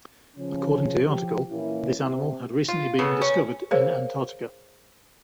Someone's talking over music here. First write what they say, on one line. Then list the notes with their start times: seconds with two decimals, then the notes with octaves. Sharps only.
According to the article, this animal had recently been discovered in Antarctica.
0.36 C#3 F3 C#4
1.07 F3 G4
1.50 A#2 E3 A#3 C#4 E4
2.04 C3
2.68 F4
2.99 C#3 B3 A4
3.22 C#4
3.71 G#4 A#4 C5 C#5 F5